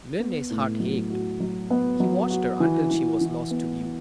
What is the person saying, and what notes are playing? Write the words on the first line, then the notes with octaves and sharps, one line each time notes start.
Linley's heart ached; he watched her until she was lost to view.
B3
A2
F#3
F#4
F#3
B3
F#3
F#4
E3
E3
E3
B3